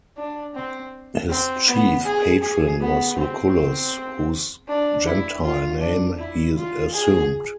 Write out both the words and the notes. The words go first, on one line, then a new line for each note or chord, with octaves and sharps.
His chief patron was Lucullus, whose gentile name he assumed.
D4
C4
C4
B3
G#4
G#4
B3
C4
D4
E4
F4
D4
E4
F4
G#4